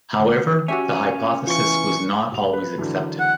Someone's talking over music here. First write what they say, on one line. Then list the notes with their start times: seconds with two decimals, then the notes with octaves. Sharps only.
However the hypothesis was not always accepted.
0.20 D3
0.68 C#4 F#4 G4 E5
1.47 B2 E3 F4 C#6
2.32 B1 F7
2.53 B4
2.78 D3 E3 F#3
3.19 F#5